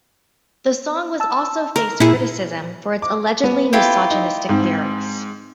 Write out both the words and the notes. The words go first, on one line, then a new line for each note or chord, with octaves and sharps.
The song was also faced criticism for its allegedly misogynistic lyrics.
A5 E6
A#4
A#2 E4 G#4
D6
B3
E4 F4 G4
D#4
G#2 C4